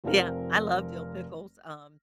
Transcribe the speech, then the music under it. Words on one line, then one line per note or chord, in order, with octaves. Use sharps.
Yeah, I love dill pickles. Um,
F1 F3 C4 A#4